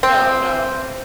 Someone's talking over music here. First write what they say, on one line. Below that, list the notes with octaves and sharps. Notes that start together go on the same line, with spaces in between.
No, no.
C4